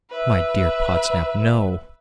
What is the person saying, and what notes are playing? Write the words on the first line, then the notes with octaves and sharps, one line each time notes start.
'My dear Podsnap, no.
B4 E5